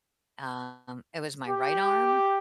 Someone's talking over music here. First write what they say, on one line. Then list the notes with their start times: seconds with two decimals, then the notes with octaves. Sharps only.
Um, it was my right arm,
1.48 G4